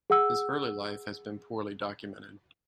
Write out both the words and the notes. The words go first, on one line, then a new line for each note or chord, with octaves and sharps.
His early life has been poorly documented.
G#4 F#5 E6